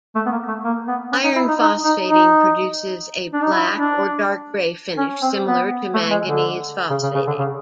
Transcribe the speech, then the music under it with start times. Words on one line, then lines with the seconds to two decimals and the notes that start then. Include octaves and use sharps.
Iron phosphating produces a black or dark gray finish similar to manganese phosphating.
0.15 A3
0.26 B3
0.31 A#3
0.48 A3
0.64 A#3
0.87 B3
1.12 C#4
1.23 D#4
1.36 E4
1.48 D#4
1.60 D#4
1.84 D#4
2.08 D#4
3.33 D4
3.43 D#4
3.53 E4
3.77 D4
4.97 C#4
5.22 C4
5.46 B3
5.94 A3
6.11 G#3
6.26 D3
6.90 C#3
7.03 C#3
7.15 C#3
7.27 D3
7.39 C#3